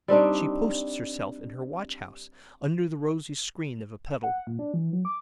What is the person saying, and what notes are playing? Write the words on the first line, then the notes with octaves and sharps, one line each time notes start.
She posts herself in her watch-house, under the rosy screen of a petal.
G3 C4 D4 D#4
F#5
A#2
D4
E3
F#3
D6